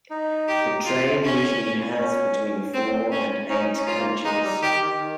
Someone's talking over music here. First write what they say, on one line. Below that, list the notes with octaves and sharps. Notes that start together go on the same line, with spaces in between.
The train usually has between four and eight coaches.
D#4
G4
F4
C#4
C#4
C4
C#4
C#4 D#4
C#4
F4
A#3
G#3 D#4
G3
D#3 G4
D#3
D#3